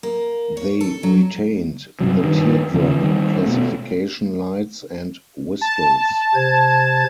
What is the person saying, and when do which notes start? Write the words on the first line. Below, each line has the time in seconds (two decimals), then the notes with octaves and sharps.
They retained the teardrop classification lights and whistles.
0.03 A#3
0.57 C#5
0.81 A4
1.03 F#3
2.00 G2 C3 F#3
2.23 G2 D#3
2.74 D#2 C#3 F3
2.99 D#3 G3 C4
3.46 B2 A3
5.61 A5
6.35 C3 C5 G#6